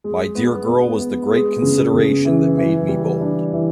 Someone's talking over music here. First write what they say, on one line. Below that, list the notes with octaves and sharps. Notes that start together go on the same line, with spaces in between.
My dear girl was the great consideration that made me bold.
G#3
B3
B3
B3
G#3
C#3
C#3
E3
E3
G3
D4
E3